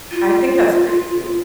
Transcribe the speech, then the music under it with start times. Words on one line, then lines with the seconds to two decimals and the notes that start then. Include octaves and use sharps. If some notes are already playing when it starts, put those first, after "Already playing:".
I think that's great, too.
0.11 F4